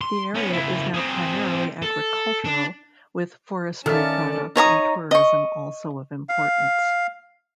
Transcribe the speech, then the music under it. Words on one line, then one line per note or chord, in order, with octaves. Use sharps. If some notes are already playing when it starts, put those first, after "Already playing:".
The area is now primarily agricultural, with forestry products and tourism also of importance.
C6
B3 C#4
C#3 E4
C4 G#4
A4
D4
D#3 C#4 A4 D5 E5 A5 F6
D#4 C#5 A#5 D#6
D#5 C#6
F5